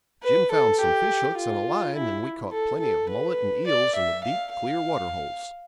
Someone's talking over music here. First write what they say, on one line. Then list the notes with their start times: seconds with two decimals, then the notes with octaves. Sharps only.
Jim found some fish-hooks and a line, and we caught plenty of mullet and eels in the deep, clear waterholes.
0.23 B4
0.51 A4
0.80 G4
1.38 F4
1.95 E4
2.52 A4
2.80 A4
3.09 B4
3.67 D5
3.95 E5
4.24 F5
4.53 F5